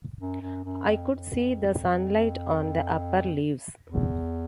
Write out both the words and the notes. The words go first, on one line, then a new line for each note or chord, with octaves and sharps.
I could see the sunlight on the upper leaves.
F#2
F#2
F#2
F2
F2
E2